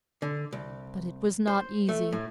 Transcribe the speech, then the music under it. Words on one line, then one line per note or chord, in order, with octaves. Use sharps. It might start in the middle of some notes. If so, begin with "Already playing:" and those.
But it was not easy.
D3
C2
C5
A3
A2